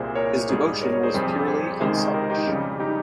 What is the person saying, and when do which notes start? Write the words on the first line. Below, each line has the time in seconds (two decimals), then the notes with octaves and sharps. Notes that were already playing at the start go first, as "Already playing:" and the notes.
His devotion was purely unselfish.
Already playing: C2 A#2 G3 G#4 C5
0.15 A#4 C#5
0.49 G#2 G3 G#4 C5
0.81 A#4 C#5
0.93 A#4 C#5
1.03 G#4 C5
1.14 F2 C3 G3 G#4 C5
1.47 G#4 C5
1.80 C#2 C3 D#3 G#3 G#4 C5
2.14 G4 A#4
2.30 D#4 G4
2.47 F2 C#3 G3
2.80 D#4 G4